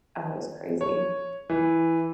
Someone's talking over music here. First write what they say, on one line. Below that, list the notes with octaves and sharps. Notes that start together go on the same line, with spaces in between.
Oh, it was crazy.
C#5
E3